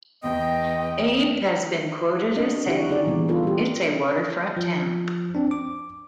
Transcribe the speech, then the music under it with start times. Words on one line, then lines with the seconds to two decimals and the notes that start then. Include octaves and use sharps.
Abe had been quoted as saying, It's a waterfront town.
0.23 E2 B3 D#5 G5
2.36 C4 D4 F#4 D#5
2.66 F#3 D4 E4 F#4 G4 F#5
2.88 D#4 F#4 G#4 D5
3.05 A#2 E3 G3 G#3 B3 E4
3.28 F#3 B3 F4 A4 B4
3.43 G3 G4
4.57 F3
5.35 C4 D4
5.51 D6